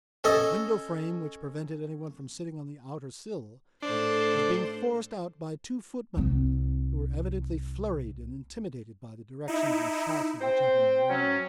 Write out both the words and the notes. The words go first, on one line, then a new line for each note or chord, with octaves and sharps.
The window frame which prevented anyone from sitting on the outer sill was being forced out by two footmen, who were evidently flurried and intimidated by the directions and shouts of the gentlemen around.
C#4 A4 D#5
A2 D4 A4 C5
C2 C4
D#4 E4
C4 C5 G5
F#3 C#4